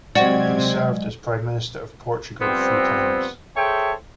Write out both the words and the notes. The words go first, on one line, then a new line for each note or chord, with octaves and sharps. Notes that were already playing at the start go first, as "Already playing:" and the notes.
He served as Prime Minister of Portugal three times.
C3 F#3 G#3 C4 F#4 D5 D#5 G#6
F3 G3 B3 C4
G#4 A4 C5 C#5 E5 G5